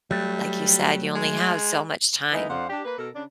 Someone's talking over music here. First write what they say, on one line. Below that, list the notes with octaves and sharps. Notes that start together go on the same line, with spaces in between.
like you said, you only have so much time.
F#3 G3 A3
G#3
E3 G#3 B3 D#4 E4
F2 D4 C5 F5 F#5
D4 G4
A#3 B4
B2 A4 A#4
C#3 D4